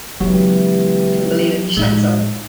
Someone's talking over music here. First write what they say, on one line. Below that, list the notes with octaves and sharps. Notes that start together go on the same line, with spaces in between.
I couldn't believe it, he shat himself!
C#3 E3 F#3 G#3 B3 G4
A2 G#3 D#4